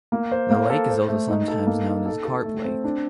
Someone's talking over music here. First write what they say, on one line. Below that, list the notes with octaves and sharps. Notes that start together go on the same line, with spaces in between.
The lake is also sometimes known as Carp Lake.
A#3
C5
A#3
A4
C5
A3
D#4
A4
A#3
D#4
A4
A4
A3
C4
D4